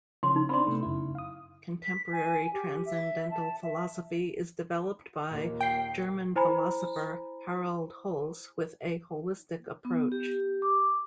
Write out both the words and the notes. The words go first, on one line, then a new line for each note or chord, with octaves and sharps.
Contemporary transcendental philosophy is developed by German philosopher Harald Holz with a holistic approach.
C#3 F3 C#4 C6
D#4
C4 D4 D5 B5 C6
C3 A3 B3
F#2 C#3 E4
F5 D#6
B6
G#5
G4
E5
A5
E5
D#2 A#2 A#3
G5 C7
E4 C5 G#5 A#5 B5
B3
G4
D6